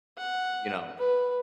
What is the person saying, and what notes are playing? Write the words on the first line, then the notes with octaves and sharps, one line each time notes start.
you know,
F#5
B4